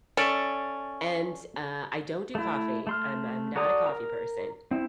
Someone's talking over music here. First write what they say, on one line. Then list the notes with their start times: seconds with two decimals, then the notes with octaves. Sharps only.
and, uh, I don't do coffee, I'm I'm not a coffee person,
0.17 C#4 A4 D5 E5
2.35 A3 E4
2.87 A3 C6 F6
3.56 F#4 A4 D5 A#5 D#6
3.87 A#4 A#5
4.71 C4 E4